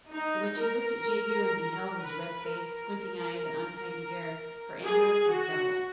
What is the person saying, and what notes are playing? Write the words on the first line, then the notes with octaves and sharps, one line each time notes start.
But when she looked at Jegu and beheld his red face, squinting eyes, and untidy hair, her anger was doubled.
D#4
A#4
B4
A#4
G#4
F#4